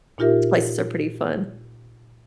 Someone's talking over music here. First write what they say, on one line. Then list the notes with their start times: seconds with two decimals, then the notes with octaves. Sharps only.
places are pretty fun.
0.18 A#2 D#4 F4 G4 A#4 E5